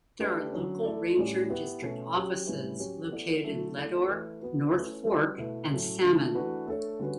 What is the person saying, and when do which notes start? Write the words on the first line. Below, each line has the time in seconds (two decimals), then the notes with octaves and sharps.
There are local ranger district offices located in Leadore, North Fork, and Salmon.
0.20 A3 D4 G4 B4 D5
0.53 D3 F#3 C#4
0.85 A3 E4 A4 D5
1.17 A2 G3 C#4 G4 D5
1.50 B3 E4 G4 B4
1.82 B2 A3 C#4
2.14 F#3 C#4 G4 C#5
2.47 A2 G3 C#4 E4 B4
2.79 F#3 C#4 G4 C#5
3.11 B3 E4 A4 D5
3.43 D3 F#3 A3 E4
3.76 A3 E4 A4 D5
4.08 E3 A3 E4 B4
4.41 B3 F#4 B4
4.73 A3 C#4 E4 B4
5.05 G3 C#4 F#4 B4
5.38 B2 A3 E4 B4
5.70 A2 F#3 A3 C#4
6.02 D3 A3 D4
6.35 E3 A3 D4 F#4 B4
6.67 A3 D4 A4 C#5
6.99 D3 G3 C#4 F#4 B4